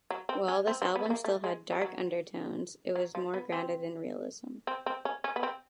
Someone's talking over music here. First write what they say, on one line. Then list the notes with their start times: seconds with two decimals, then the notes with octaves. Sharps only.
While this album still had dark undertones, it was more grounded in realism.
0.11 F#3
0.29 C4
0.48 C#4
0.67 C4
0.82 C4
0.96 B3
1.05 A3
1.10 A#3
1.24 A3
1.44 G#3
1.73 G3
1.81 F#3
2.96 F#3
3.15 F3
3.34 B3
3.52 C4
4.67 C4
4.86 C4
5.05 C#4
5.24 C#4
5.36 B3
5.43 C4